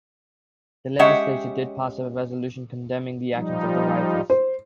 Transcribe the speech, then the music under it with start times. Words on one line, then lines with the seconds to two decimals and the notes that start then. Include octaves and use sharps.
The legislature did pass a resolution condemning the actions of the rioters.
0.99 G#3 C#4 G4 E5 F#5
3.33 F3 G3 D#4
4.30 C5